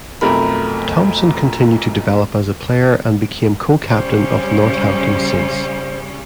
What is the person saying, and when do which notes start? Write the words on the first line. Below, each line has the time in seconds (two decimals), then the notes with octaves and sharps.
Thompson continued to develop as a player and became co-captain of Northampton Saints.
0.21 B1 F2 A3 A#4 B5
3.91 C#3 G3 C#4 C5